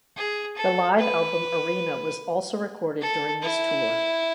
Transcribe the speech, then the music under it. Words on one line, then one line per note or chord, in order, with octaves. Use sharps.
The live album "Arena" was also recorded during this tour.
G#4
A4
B4
A4
E4